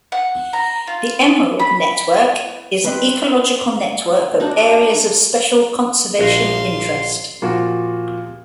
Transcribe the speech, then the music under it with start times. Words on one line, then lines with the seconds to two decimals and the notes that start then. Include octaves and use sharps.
The Emerald Network is an ecological network of Areas of Special Conservation Interest.
0.12 F#5
0.53 A#5
0.87 F4
1.60 B5
2.84 C4 B4
4.40 D4 D#4 F#4
6.19 A#1 F#4 F5 C6
7.42 A#2 F3 F#4